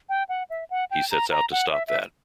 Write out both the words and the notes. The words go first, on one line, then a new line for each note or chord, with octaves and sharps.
He sets out to stop that.
G5
F#5
E5
F#5
G5
A#5
A#5
F#5
E5
E5